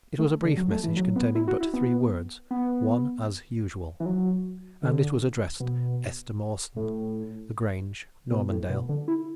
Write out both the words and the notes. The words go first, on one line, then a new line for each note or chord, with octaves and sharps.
It was a brief message containing but three words--"One as usual"--and it was addressed Esther Mawson, The Grange, Normandale.
A3
D3
F#3
A3
E3
F#3
B3
E4
F#4
E4
B3
B3
E3
F#3
D3
B2
A2
B2
A2
B2
D3
E4